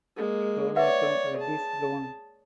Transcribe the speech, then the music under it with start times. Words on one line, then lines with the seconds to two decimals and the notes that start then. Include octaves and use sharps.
Pronotum reddish brown.
0.16 G#3 A#3
0.76 B4 C#5 D5 E5 F#5
1.37 G#4 A5